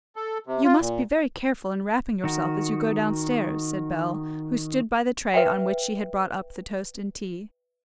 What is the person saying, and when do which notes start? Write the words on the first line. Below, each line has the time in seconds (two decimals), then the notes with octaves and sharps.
"You must be very careful in wrapping yourself as you go downstairs," said Bell, who stood by the tray on which she had brought up the toast and tea.
0.16 A4
0.47 C3
0.64 F4
0.80 A#2
2.24 D#3 F#4
5.34 B4 E5 F#5 G5